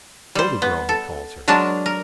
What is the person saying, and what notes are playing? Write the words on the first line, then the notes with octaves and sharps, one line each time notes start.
Photo girl he calls her.
G3 C5
B3
A4
F#3 G#3 D4 A#4 A5
A#4